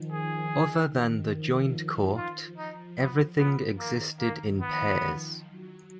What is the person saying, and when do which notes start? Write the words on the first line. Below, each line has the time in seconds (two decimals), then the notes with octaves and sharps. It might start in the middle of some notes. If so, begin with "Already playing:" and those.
Other than the Joint Court, everything existed in pairs.
Already playing: D#3 F3
0.12 G#4
0.53 D#3
1.34 F3
1.76 F3
2.16 F4
2.58 D#4
2.98 B3
3.38 B3
3.79 D#3 A#3
4.21 A#3
4.61 F3 B3
5.42 F#3